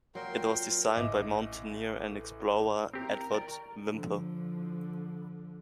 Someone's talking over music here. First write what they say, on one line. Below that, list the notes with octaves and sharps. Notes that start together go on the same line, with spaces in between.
It was designed by mountaineer and explorer Edward Whymper.
A#2 F#3 A#4 G5 C6
A1 D#5 E5 D6
C4 G4 A#4
D5 G5
D3 F3